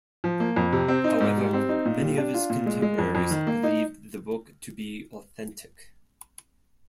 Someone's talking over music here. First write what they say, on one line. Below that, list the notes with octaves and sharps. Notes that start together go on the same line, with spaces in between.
However, many of his contemporaries believed the book to be authentic.
F3
A#3
F2
C3
C4
D#4
G#2
G3
C4
D#4
A#2
G3
D4
F4
A#2
G#3
G#3
F2
F2
D#3
A#3
D#4